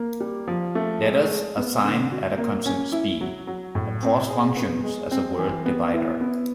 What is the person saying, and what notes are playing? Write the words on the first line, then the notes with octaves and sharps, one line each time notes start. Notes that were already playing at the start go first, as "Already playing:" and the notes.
Letters are signed at a constant speed; a pause functions as a word divider.
Already playing: A#3
G3
F3
A3
G#3
G#3
B3
D3
F#4
A#3
C#4
E4
F#3
F#3
A2
C4
G#4
B3
G#3
C4
E3
B3
E4
B3